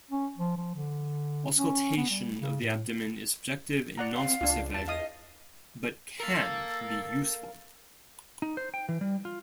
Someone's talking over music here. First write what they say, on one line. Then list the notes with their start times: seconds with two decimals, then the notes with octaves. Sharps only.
Auscultation of the abdomen is subjective and non-specific, but can be useful.
0.11 C#4
0.38 F3
0.57 F3
0.75 D3
1.56 C#4
1.97 B3
2.10 G3
2.38 C#3
2.61 A2
3.98 D5 F#5 A#5
4.15 C4 F5
4.41 C#2 D4 F4
4.74 E2 A5
4.88 D#5 F5 D#6
6.20 A4 A#4 F5
8.42 D#4
8.57 C5
8.74 G5
8.89 E3
9.01 G3
9.25 F4